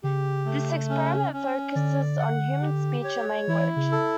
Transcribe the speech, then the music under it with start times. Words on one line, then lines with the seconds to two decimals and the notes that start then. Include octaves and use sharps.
This experiment focuses on human speech and language.
0.03 C#3 G4
0.46 A3
0.89 C#4
1.33 C#4
1.75 D3 D5
2.19 F#5
2.62 G4
3.04 C#5
3.47 E3 E4
3.76 C#3
3.92 A4